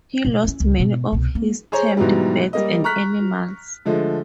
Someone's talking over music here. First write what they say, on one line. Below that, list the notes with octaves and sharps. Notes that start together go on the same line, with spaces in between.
He lost many of his tamed birds and animals.
B2 F#3
C#4 E4
C#2
G#2 B2
C2 B2
A#3
G#4 C5 C#5 A#5
G#2 B2 E3 F#3 G3
G3 A#3 D#5
A#5 C#6 F6 F#6 B6
D3 F3 G#3 A3